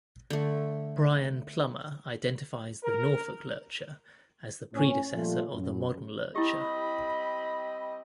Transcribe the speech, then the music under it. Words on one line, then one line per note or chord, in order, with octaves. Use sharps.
Brian Plummer identifies the Norfolk lurcher as the predecessor of the modern lurcher.
D3 A3
A#4
A2 C#4
A#2 F3 G3 A3 F4
F#2
G3 C4 E4 G4 D#5 B5